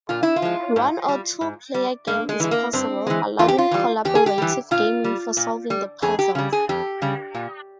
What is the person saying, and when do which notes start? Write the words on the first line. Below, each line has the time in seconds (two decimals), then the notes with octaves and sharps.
One or two-player game is possible, allowing collaborative gaming for solving the puzzles.
0.09 A#2 F4
0.23 E4
0.36 F4
0.42 F3 G#3
0.76 G#2
1.09 G3
1.41 G#2
1.74 G3
2.07 G2 A#3
2.29 G#3
2.40 E3 G#3
2.51 A#3
2.73 G2 C4
3.07 E3 G#3
3.39 E2 F4
3.48 G4
3.58 F4
3.71 E3 G3
4.05 E2 G4
4.15 G#4
4.26 G4
4.38 E3 G3
4.71 A#2 F4
5.04 G3
5.37 A#2
5.70 G3
6.02 F2 G#4
6.19 G4
6.35 C#3 G3
6.53 G#4
6.69 F2 G4
7.02 C#3 G3
7.35 A#2